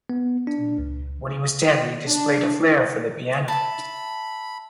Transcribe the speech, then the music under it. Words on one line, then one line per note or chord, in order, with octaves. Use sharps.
When he was ten, he displayed a flair for the piano.
B3
D4
C#2
D4
E5 A5 B5